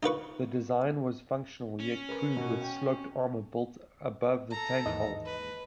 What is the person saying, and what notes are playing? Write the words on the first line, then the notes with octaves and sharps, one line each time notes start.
The design was functional yet crude with sloped armour built above the tank hull.
D#4 F4 B4 C#6
C#4
A#4 B4
B2 F#4 A#4
G5
A4 A#5
D#2 G#2 E3 D#5
B4